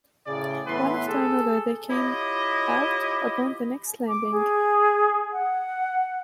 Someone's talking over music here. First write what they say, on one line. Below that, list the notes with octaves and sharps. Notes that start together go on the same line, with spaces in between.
One after another they came out upon the next landing.
A2 C#3 G#4 D5
A2 E3 B3 B4 C6
G#4 A4
E4 F4 G4 C#5 D#5
D6
G#4
F#5